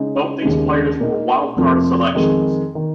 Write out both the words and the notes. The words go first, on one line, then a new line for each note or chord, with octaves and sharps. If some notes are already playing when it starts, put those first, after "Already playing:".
Both these players were wild-card selections.
Already playing: C#3 G#3 D#4
D#2 C#3 G#3
A#2 A#3 D#4
F1 F2 F3 A#3
F2 D#3 G#3
D#3